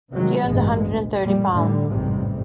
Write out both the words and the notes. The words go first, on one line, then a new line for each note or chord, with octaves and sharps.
He earns a hundred and thirty pounds.
C3 D#3 F#3 G#3
A1 G2 B2 G#3
D2
F2 A#2 G3
A2 D3 G3
A1 F2 G#2 C3 G3